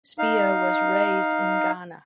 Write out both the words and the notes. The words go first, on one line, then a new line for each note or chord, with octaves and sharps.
Spio was raised in Ghana.
D#4 F5